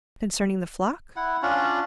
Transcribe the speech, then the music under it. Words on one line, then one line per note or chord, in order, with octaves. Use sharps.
Concerning the flock?
E4 F#5
C#4 D4 F4